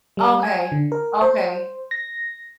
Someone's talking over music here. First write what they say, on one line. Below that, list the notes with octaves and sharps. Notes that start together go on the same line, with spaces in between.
Okay, okay.
G3
G#5
D3
A#4
C5
A#6